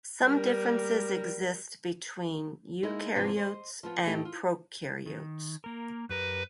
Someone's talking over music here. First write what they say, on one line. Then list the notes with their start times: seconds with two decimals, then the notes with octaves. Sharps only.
Some differences exist between eukaryotes and prokaryotes.
0.25 G3 A#4
2.83 G#3 A#3 D#4 E4
3.15 G#2 C3 E3 F3 B3 D4
3.36 C5 D#5
3.83 F3 B3 F4
4.05 A2 A3 D#4 G4
4.25 F4
5.06 D#3
5.64 A#3 A#4
6.09 F#2 G4 A#4 B4